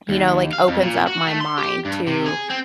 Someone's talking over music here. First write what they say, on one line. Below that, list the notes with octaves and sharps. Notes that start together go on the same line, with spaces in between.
you know, like, opens up my mind to
D#2
F5
F2
A#2
F#4
A3
C6
G4
G2
C3
G#4
C4